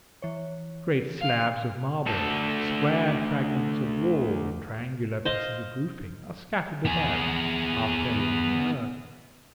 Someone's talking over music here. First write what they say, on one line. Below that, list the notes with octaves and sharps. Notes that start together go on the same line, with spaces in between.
Great slabs of marble, squared fragments of wall and triangular pieces of roofing, are scattered about, half-buried in the earth.
E3 C#5
F5
D2 A4
C5 D#5 F5
B3 G#4